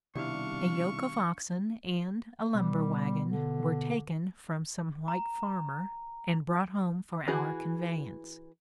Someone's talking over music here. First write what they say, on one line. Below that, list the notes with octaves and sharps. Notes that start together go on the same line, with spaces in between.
A yoke of oxen and a lumber-wagon were taken from some white farmer and brought home for our conveyance.
C2 B2 D#3 G3 D4 F5 C#6
B2 G3
D3
A#5
E3 F#4 G#4